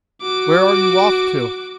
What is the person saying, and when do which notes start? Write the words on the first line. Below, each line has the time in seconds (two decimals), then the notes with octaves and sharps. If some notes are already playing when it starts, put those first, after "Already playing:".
"Where are you off to?"
0.22 F#4 D6